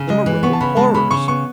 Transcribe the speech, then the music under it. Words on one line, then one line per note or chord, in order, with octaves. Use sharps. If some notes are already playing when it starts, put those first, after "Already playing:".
"The Moreau Horrors!"
Already playing: C#3
G#3 D#5
E3
B3 C#6
A5
C#3 B5
G#3 A5
C#3 B5
C#3 C#6
B3 C#6